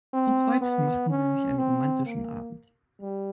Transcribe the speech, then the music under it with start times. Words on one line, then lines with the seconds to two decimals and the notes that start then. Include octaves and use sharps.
Zu zweit machten sie sich einen romantischen Abend.
0.13 C4
0.61 B3
1.10 C#4
1.58 C4
2.06 A#3
3.01 G3